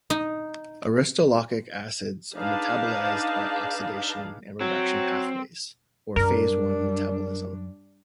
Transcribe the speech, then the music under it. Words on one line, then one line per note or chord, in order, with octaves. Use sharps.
Aristolochic acids are metabolized by oxidation and reduction pathways, or phase one metabolism.
D#4
D4 D#4 G#4 B4 F5 A5
F#3 C4
F#2 G3 D4 A#4